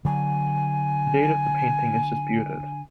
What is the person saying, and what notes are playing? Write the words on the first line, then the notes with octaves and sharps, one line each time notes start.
The date of the painting is disputed.
D3 F#3 G#5